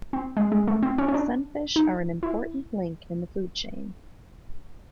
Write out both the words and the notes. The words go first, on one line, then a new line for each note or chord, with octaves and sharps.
Sunfish are an important link in the food chain.
C4
G#3
G#3
A3
C4
C#4
C#4
D4
D#4
E4